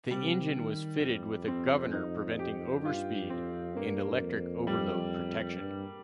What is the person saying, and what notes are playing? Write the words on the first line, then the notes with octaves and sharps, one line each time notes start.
The engine was fitted with a governor preventing overspeed, and electric overload protection.
C3 G3
D#3
F2
C4
D#4
G4
G2 F4
F2 C4
G2 A#3
F2
G3
G2